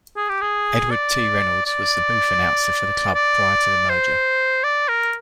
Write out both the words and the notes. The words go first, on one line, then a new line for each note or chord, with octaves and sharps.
Edward T. Reynolds was the booth announcer for the club prior to the merger.
G#4
G4
G#4
D5
D5
D5
C5
D5
A#4